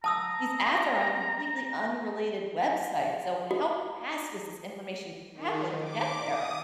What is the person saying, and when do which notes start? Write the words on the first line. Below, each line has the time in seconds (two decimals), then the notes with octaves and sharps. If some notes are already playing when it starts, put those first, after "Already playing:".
these ads are on completely unrelated websites, so how fast is this information traveling to get there?
0.04 A5 A#5 D#6 E6
3.51 F#4
5.33 D#3
5.81 D6
6.25 D#6